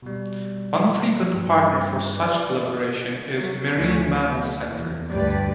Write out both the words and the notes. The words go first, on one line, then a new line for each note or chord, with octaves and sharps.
One frequent partner for such collaboration is the Marine Mammal Center.
B2 G3
G2
B4 D5
F#3
D2 C#4
B2
E2
D2 G2 G3 G4 B4 D5